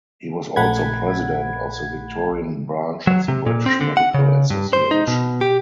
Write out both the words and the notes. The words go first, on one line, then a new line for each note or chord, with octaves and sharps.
He was also president of the Victorian branch of the British Medical Association.
A#1 A3 F#5 B5 G#6
F#3
C3
A#2
C4
D3
F#5
C#3
G2
C5
D#4
B2
G4